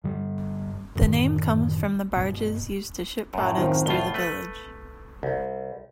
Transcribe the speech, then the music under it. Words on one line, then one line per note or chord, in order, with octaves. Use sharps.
The name comes from the barges used to ship products through the village.
G2 D3 G3
F#2 A2 D3 D#3
G1 G2 B2
F#2 A2
D#3 C4 F4
C2 A2 F4 G7
A3 B4
C2